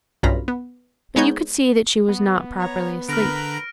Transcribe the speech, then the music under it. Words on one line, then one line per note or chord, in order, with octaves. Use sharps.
But you could see that she was not properly asleep....
B1 G2 C#4 F4 A#5 B5
B3
G#3 B3 D#4 C#5 G6 G#6
B3
C#5 A#5
D3 A#4 B4 A#5 B5 F6 A#6 D7